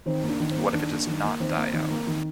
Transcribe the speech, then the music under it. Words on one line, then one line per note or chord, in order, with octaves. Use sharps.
What if it does not die out?
D#3 C4
A#3
D4
D#3
C4
A#3
D#3 D4
A#3
D#3
A#3
D#3 C4
A#3
D#3
A#3
D#3